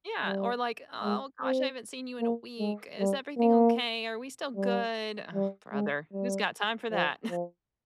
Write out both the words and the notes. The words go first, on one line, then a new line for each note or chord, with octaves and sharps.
yeah, or like, "Oh gosh, I haven't seen you in a week is everything okay? Are we still good?" Ugh, brother, who's got time for that?
G3
G#3
C4
A#3
G#3
G3
A#3
G3
G3
G#3
G3
F3
F3